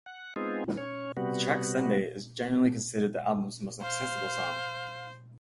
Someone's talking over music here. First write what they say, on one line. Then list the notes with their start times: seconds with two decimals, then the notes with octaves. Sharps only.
The track "Sunday" is generally considered the album's most accessible song.
0.06 F#5
0.36 G#3 B3 C4 D#4 F4 G#4
0.78 C#4 C#5
1.17 C3 G3 B3 F#4
3.82 C5 F5